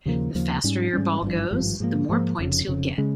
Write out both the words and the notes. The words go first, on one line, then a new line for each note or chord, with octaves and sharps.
The faster your ball goes, the more points you'll get.
D#2 C#3 F3 A#3
D#2 C#3 F3 A#3
G#2 G3 C#4
G#2 G3 C#4
G#1 G2 F3
G#1 G2 F3
G#2 F3 A#3
G#2 F3 A#3
F1 F2 C#3
F1 F2 C#3
C#3 G#3 C#4